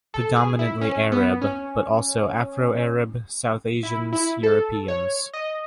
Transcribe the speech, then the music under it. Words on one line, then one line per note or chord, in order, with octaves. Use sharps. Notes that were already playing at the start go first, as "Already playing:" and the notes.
Predominantly Arab; but also Afro-Arab, South Asians, Europeans.
A4
G#4
E4
C#4
B3
C#4
E4
E4
A4
C#5
D#5